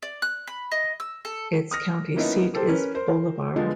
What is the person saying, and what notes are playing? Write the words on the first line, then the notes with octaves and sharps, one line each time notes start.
Its county seat is Bolivar.
D5
F#6
B5
D#5
E6
A4
D#6 F6 A#6
F3 A#3 B3 C#4 D#4 E4
G4 A4 A#4 C5
C#4 A#4 B4
A#4 C5
D3 F3 G#3 B3